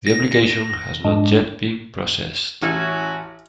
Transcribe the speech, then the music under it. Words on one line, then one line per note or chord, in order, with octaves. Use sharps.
The application has not yet been processed.
A#6
G#2 G#3 D4
A1 C#4 E4 F#4